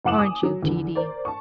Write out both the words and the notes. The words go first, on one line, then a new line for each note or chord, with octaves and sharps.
Aren't you, T. D.?
F#1 E4 F#5 D6 E7 F#7
G#5 D6 D#6
F#3
E2 D3 E3
A#4 C5 D5
A5 C#6